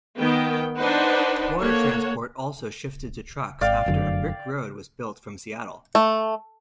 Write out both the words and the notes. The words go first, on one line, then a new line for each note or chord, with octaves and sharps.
Water transport also shifted to trucks after a brick road was built from Seattle.
D#3 B3 G5
D4 D#4 B4 C5 F#5
A#3 A4 C#5 F#5
G#1 D5 F5 G5
F1 F#2 D3
A3